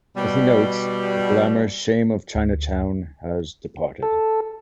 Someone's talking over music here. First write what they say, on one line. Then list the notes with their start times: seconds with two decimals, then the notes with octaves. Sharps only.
As he notes, "the glamorous shame of Chinatown has departed".
0.16 B2 G3
2.35 D2
4.03 A4